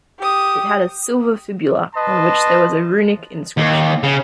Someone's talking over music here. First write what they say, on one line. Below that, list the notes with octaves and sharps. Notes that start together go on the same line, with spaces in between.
It had a silver fibula on which there was a runic inscription.
G4 D#6
B4 D#5 A5 C6
D#2
C#3